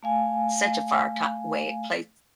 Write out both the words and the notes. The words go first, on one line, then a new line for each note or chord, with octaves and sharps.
such a far top way place.
A3 F5 G#5